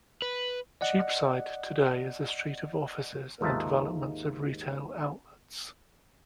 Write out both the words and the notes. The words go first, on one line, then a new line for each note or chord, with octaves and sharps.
Cheapside today is a street of offices and developments of retail outlets.
B4
D5 D#5 F#5
D#2 G#2 D#4 F4 E5 A5